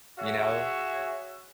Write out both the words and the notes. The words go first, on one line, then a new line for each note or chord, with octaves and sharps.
You know,
F#4 G#4 C#5 E5